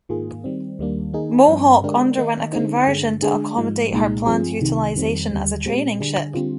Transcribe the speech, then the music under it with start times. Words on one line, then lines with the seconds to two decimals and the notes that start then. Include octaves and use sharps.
"Mohawk" underwent a conversion to accommodate her planned utilisation as a training ship.
0.09 G#2 D#3 A#3 F4 G#4
0.44 D#3 G3 C4
0.79 D#2 D#3 G3 A#3 D4
1.13 D#3 A#3 D#4 G#4
1.48 G2 F3 C4
1.83 D3 G#3 D4 G4 A#4
2.18 D#3 A#3 D#4
2.53 D3 G#3 C4 D#4
2.87 G2 D3 G#3
3.22 D3 G#3 D4 G#4
3.57 G#2 F3 G#3
3.92 C2 A#2 G#3 D#4
4.26 G2 F3 C4 F4 G#4
4.61 C2 C3 D#3 G3
4.96 F2 D#3 G3 C4
5.30 D#2 D3 G3
5.65 A#2 G#3 C4 G4
6.00 D3 G3 D4 G#4
6.34 D3 G3 C4 F4